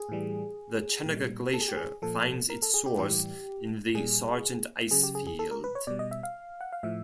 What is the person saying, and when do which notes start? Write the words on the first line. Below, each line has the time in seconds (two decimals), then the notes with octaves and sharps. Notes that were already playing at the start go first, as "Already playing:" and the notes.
The Chenega Glacier finds its source in the Sargent Icefield.
Already playing: G#4
0.09 A2 E3 G3
1.06 A#2 G3
1.54 A4
1.61 G#4
1.68 G4
1.77 G#4
2.02 A#2 F3 A4
2.50 A#4
2.62 A4
2.74 G#4
2.86 G4
2.98 A2 E3 G3 G4
3.94 A#2 G3 G#4
4.91 C#3 F#3 G#4
5.03 G4
5.15 G#4
5.27 G#4
5.39 A4
5.51 A#4
5.64 B4
5.75 C#5
5.87 B2 G3 D5
5.99 D#5
6.11 E5
6.23 F5
6.61 F#5
6.72 F5
6.83 A2 F3 E5